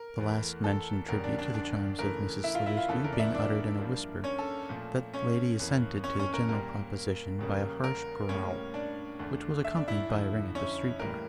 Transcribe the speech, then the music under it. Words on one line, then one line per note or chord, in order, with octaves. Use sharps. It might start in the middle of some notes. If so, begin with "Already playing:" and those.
The last-mentioned tribute to the charms of Mrs Sliderskew being uttered in a whisper, that lady assented to the general proposition by a harsh growl, which was accompanied by a ring at the street-door.
Already playing: A#4
E2 E3 A3
A4
E2 C#3 G3 A#4
D4 D5
D4 D5
D4 D5
C#3 E3 A3 A#4
E4 E5
F4 F5
E4 E5
F4 F5
E2 C#3 E3 A#3 A4
A#4
D5
E4 E5
D4 D5
G2 F3 A#3
C#4 C#5
A4
A#2 F3 A3
C#4 C#5
F2 E3 A#3
C#4 C#5
C#4 C#5
A#4
A#2 G3 A#3 A#4
E2 C#3 G3 A#3
A#4
A2 G3 A#3 C#4 C#5
D4 D5
E2 D3 A3
E5
D5
E4 E5
F2 D3 F3
C#4 C#5
A2 E3 G3 A#3 A#4